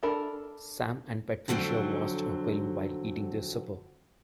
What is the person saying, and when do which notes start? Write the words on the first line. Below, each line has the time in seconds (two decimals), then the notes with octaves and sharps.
Sam and Patricia watched a film while eating their supper.
0.03 D4 A4 A#4 B5
1.48 F2 D3 F#3 C4